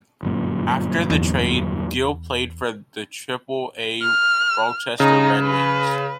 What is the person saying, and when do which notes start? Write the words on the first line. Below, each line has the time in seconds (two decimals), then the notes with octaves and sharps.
After the trade, Gil played for the Triple-A Rochester Red Wings.
0.23 G1 F#2 A#2
1.10 E2
4.02 F6
5.00 C#3 D#4
5.43 B4